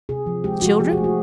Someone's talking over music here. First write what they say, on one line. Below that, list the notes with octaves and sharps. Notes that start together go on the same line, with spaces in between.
The children?
C3 G#4
F3
G#3 G4
F3 F#4
F3 G#4
G#4
A3
F#4